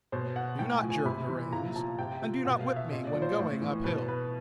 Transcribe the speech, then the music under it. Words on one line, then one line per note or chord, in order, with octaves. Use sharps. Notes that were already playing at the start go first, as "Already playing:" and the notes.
Do not jerk the reins, and do not whip me when going up hill.
B2 C5
F#5
A2 G5
G#5
F3
G#5
C3 B5
E3
A#2 A#5
F3 A5
C3 G5
F3
B2 F#5
F5
E5
A#2 D#5
D5
F3
C5
A2
E3
B2 B4
B4